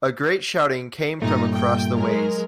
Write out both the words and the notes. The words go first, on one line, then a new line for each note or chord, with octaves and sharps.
A great shouting came from across the ways.
G2 A#2 A3 D#4
G5
F#3 G#3 A#4